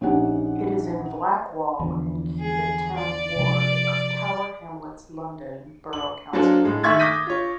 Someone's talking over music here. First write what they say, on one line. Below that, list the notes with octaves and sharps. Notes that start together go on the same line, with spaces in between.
It is in Blackwall and Cubitt Town Ward of Tower Hamlets London Borough Council.
A#1 C#4 D#4 G4 F#5
E2 D3 F3
G#4
D5
C3 F3 G#3
F#7
F#3 A#3 D4 A4 C5
A2 G#3
D#3 A3 E5 C#6 G#6 A6
D6 D#6 G6 A#6 B6 D#7
F4 C#5